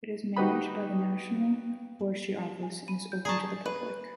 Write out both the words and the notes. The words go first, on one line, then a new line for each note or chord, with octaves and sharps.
It is managed by the National Forestry Office and is open to the public.
D#4 F#4 G4 B4 D#5 B5
G#5
B5 D#7
G6
G#4 D5 A5 A#5 C#6
B4